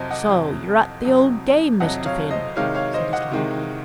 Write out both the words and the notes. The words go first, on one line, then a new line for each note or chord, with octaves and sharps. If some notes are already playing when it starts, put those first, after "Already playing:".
"So you're at the old game, Mr. Finn?" said his landlord.
Already playing: F2 C3 F#3 C5 D#5
D#5 F#5
F2 C3 F#3
F2 C3 F#3
F2 C3 F#3 D#5 F#5
C#5 F5
C5 D#5
C3 D#3 G#3 C#5 F5
C#5 F5
C5 D#5
D#5 F#5
C3 D#3 G#3